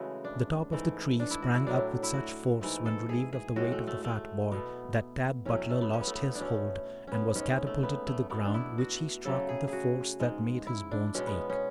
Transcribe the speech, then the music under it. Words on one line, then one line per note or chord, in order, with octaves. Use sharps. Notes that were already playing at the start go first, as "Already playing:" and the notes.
The top of the tree sprang up with such force, when relieved of the weight of the fat boy, that Tad Butler lost his hold and was catapulted to the ground, which he struck with a force that made his bones ache.
Already playing: C#3 E3 G#3 A3 F#4
D4
G#2 E3 A3
D4
E4
F#4
E4
A2 F#3 A3 D4
E4
F#4
G#2 E3 A3
A4
G#4
G#4
A2 G#3 F#4
A3
A3
A3
B2 A3 B3
A2 F#3 A3 C#4
A3
B3
C#4
B3
A3
B3
D4
B2 A3 C#4
B3 C#4
G#2 G#3 C#4
C#4
A3
B3
A3
B2 A3 B3
D4
E4
F#4
C#3 F#3 A3 A4
G#4
G#4
F#4
G#2 G#3
E4
D4
B2 G#3 C#4
B3
C#4